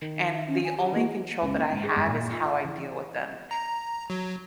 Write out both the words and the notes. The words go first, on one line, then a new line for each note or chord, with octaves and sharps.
and the only control that I have is how I deal with them
D#3
E5
C#4
G#5
G4
E3 A#3 F#4
C#2
A#3
G#2
G#4
G#1
A#2
F4
E5
E3
A#5
F#3